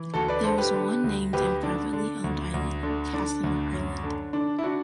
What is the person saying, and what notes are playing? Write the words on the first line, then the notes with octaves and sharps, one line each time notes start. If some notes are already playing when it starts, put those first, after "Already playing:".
There is one named and privately owned island, Casimir Island.
Already playing: E3
D2 F#4 A4
B4 D5
D3 A4 C5
G4 B4
D3
D2
D2 G4 B4
D3 D4
D3
D2
D2
D3
D3 D4
D2
F#2
D3
D3 D4
E4
D4 F#4